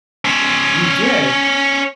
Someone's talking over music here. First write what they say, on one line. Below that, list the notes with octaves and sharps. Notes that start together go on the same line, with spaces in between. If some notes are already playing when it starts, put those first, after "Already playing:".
You did?
C#4 C5